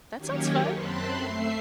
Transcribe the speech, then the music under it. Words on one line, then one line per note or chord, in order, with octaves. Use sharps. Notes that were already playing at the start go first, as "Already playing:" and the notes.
That sounds fun.
D#3 F#3 A#3 C#4 G4 C#5
F#2 C4 A5 B5 C6 F#6
A3 E5 C7